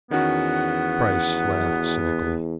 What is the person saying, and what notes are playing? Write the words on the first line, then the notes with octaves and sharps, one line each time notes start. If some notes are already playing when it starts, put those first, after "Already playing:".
Bryce laughed cynically.
E2 D#3 B3 C#4 F#4 F#5